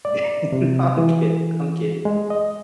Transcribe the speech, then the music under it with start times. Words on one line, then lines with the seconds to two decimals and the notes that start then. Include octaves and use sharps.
yeah, no, I'm kidding, I'm kidding.
0.05 D5
0.52 C3
0.97 E3
2.05 G#3
2.30 D#5